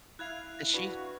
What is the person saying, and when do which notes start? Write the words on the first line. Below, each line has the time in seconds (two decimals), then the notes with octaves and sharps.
And she
0.19 E4 F5 F#6 G#6 F7
0.73 D4 F#4 B4